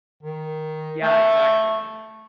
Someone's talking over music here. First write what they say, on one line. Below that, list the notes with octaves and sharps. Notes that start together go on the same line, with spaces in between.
Yeah, exactly.
D#3
A3